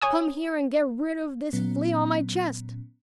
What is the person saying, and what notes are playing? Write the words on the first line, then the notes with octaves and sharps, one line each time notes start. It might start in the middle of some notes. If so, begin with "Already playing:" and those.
Come here and get rid of this flea on my chest.
C#5 G#5 D#6
A#2 F#3 B3 C#4